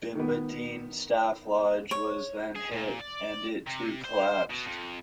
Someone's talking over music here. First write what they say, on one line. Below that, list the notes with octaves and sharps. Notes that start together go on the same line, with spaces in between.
Bimbadeen Staff Lodge was then hit, and it too collapsed.
D#3 B3
C#5
G#4
A#2
D5
C3
C5
B2
F2